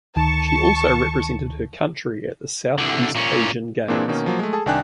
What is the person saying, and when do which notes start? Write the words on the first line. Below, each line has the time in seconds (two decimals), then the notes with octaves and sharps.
She also represented her country at the Southeast Asian Games.
0.16 D2 D#3 A5 C#6
2.78 C2 D3
3.15 A#2 C#4
3.88 A#2 E3 A#3 C4 D4 G#4
4.08 B2 D#3 A#3 C#4
4.26 F3 F#3 A#3
4.39 G#3 A3
4.53 G#4 A4 A5
4.66 C2 D#3 D4 G5 G#5 F#6